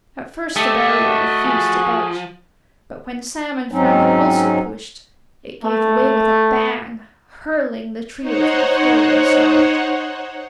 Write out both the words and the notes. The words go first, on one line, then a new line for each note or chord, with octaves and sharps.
At first the barrier refused to budge, but when Sam and Frank also pushed, it gave way with a bang, hurling the trio to the floor inside.
A3 G4 D#5 E5
F#4
F3 G#4
G#2 F#3 C4 C#4 D#4
A3
D#4 C5 C#5 F#5